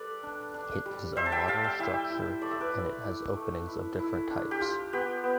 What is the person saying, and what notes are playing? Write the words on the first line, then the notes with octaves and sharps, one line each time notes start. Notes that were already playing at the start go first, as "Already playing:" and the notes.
It is a modern structure and it has openings of different types.
Already playing: G3 A4 B4 D5
D4
D4
G3
G3 C5 E5
A5
E5 G5
G3 F5 A5
E5 G5
E4 E5 G5
E4
A3 D5
E5
B4 D5
E4
E4
A3
E4
E4
D4
G4
F4
B3 G4
B3